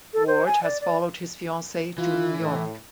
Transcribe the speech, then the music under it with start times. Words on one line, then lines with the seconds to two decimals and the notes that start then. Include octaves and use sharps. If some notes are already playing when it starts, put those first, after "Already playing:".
Ward has followed his fiance to New York.
0.14 A4
0.27 C5
0.46 G#5
0.63 D5
0.81 D5
1.98 E3 F4
2.39 A2